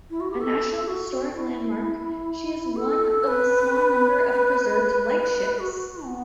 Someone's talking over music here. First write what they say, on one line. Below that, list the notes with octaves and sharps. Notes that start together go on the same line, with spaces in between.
A National Historic Landmark, she is one of a small number of preserved lightships.
E4
F#4
G4
A4
F#4
E4
A4
C#5
B4
F#4
B3